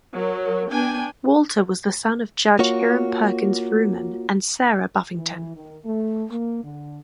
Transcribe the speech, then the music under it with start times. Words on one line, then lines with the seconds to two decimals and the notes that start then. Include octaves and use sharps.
Walter was the son of Judge Hiram Perkins Vrooman and Sarah Buffington.
0.14 F#3 A#4
0.70 B3 D4 G5 G#5
2.59 A#3 F4 F#4 C#5
5.15 E3
5.55 D#3
5.85 A3
6.31 A#3
6.64 D3